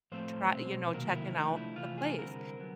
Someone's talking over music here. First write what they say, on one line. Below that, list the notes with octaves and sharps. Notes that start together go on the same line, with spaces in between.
try you know, checking out the place,
A2 F3 A3 C4 C5
B2 G#3 C4
C3 D#3 F#3 A#3 A#4
F4
E4
F3 A3 D4 D#4
E4
C3 E3 A3 F4
G#4
D3 G3 C4 A#4
D3 F#3 B3